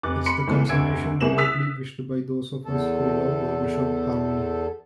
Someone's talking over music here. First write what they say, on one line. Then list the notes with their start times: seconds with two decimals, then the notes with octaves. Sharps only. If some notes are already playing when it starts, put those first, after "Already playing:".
It's the consummation devoutly wished by those of us who love Barbershop harmony.
0.03 F1 D6 F#6 A6
0.26 B5 C6 C#7
0.47 B1 E3 G#3 A4 B4
0.69 F1 D2 E6 G#6 D7
1.20 C2 A#3 G#4 B4 E7 F#7
1.38 D#6 E6 F#6 A6 B6 F7
2.65 E2 A4